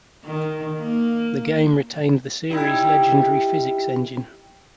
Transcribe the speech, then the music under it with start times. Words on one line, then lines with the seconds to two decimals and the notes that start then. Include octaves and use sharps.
The game retained the series' legendary physics engine.
0.25 D#3
0.79 A#3
2.49 G3 D#4 E4